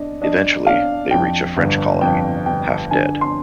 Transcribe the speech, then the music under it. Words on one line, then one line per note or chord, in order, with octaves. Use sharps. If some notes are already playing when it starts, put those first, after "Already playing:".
Eventually, they reach a French colony, half dead.
Already playing: D4 D#5
D4 D#5
D4 F5
F2 G5
G1
F2 G5
G1 G5
D3 G#5
C6